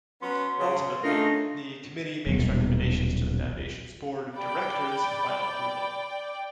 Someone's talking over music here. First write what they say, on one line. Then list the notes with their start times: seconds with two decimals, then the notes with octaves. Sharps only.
Ultimately, the Committee makes recommendations to the Foundation's Board of Directors for final approval.
0.22 F#3 B3 C#4 C6
0.59 C#3
1.03 C#3 A3 D4 D#4 F4 A#4 A#6
2.27 D#1 B1
4.36 D5 G5 B5